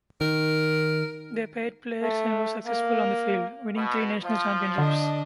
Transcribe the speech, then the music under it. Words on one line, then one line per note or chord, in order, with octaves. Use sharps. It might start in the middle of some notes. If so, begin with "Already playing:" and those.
They paid players and were successful on the field, winning three National Championships.
D#3 A#4
A3
A#3
B2
F3 F4
D3 D4 D#5